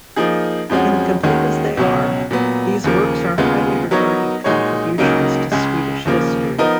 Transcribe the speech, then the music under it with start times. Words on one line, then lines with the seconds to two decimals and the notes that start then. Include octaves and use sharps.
Incomplete as they are, these works are highly regarded contributions to Swedish history.
0.16 F3 A#3 D#4 G#4
0.69 F2 F3 G#3 C#4 F#4
1.23 D#2 D#3 G#3 C#4 F#4
1.77 C#2 B2 F#3 C#4 F#4
2.31 A#2 F#3 B3
2.84 D#2 C#3 F3 A#3
3.38 D#2 C#3 G#3 B3 F4
3.91 F#3 B3 D#4 A#4 C#5
4.44 A#2 G#3 D#4 F#4 C#5
4.98 C#2 C#3 F#3 A#3 D#4
5.52 C#2 C#3 G#3
6.05 D#2 C#3 F3 A#3
6.58 F3 B3 D#4 A#4 D#5